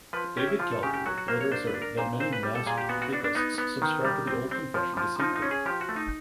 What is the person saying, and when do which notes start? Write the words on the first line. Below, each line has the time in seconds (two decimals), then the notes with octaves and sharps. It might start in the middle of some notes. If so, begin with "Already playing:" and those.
David Calderwood later asserted that "many masked "Papists" subscribed the old Confession deceitfully".
0.13 F3 B4
0.37 C#4 G4
0.48 E4
0.59 F3 F4
0.71 A4
0.83 C#3 G4
0.94 G4
1.06 F#3 F#4
1.18 F#4
1.28 A#3 C5
1.41 C#5
1.52 D4 C5
1.67 B4
1.74 D4
1.82 A#4
1.97 A#2 C5
2.20 C4 C5
2.33 B4
2.43 G3
2.55 A4
2.67 A#2 G#4
2.78 G4
2.89 B3 F#4
3.02 F#4
3.12 D4 F#4
3.24 D4
3.35 B3 D#4
3.58 B3
3.82 D#3
4.05 G3
4.27 C4
4.51 C4
4.74 F3
4.97 F3
5.20 F3 D#4
5.36 D#4
5.42 C#4
5.51 G#4
5.66 F3 G4
5.81 F#4
5.89 A3
5.96 D#4